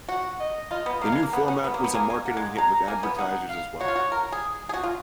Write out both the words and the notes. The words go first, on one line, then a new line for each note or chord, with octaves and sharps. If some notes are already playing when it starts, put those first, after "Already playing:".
The new format was a marketing hit with advertisers as well.
F#4 F#5
D#5
F4 D#5
B3
A#3 F5
G#3
A#3
B3 F#5
C#4
B3
A#3
B3
A#3 G#5
G#3
A#3 F#5
G#3
G#3 A#5
A#3 G#5
B3
D#4 F#5
F5
F#4 C#5
F4
F#4
A#4
G#4
G#4
F#4
F4